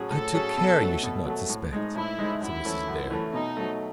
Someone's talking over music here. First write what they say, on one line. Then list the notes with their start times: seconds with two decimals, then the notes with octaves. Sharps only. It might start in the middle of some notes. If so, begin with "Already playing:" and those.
"I took care you should not suspect," said Mrs. Adair.
Already playing: A2 F#3 C#4 G#4
0.11 A2 A4
0.34 F#3 C#4 G#4
0.57 B2
0.80 F#3 A3
1.03 B2
1.26 F#3 A3
1.49 A2
1.73 G#3 D#4
1.95 A2 E4
2.19 G#3 D#4
2.41 F#2 E4
2.65 E3 A3 C#4
2.88 F#2
3.11 E3 A3 C#4
3.33 B2 D#4
3.57 F#3 A3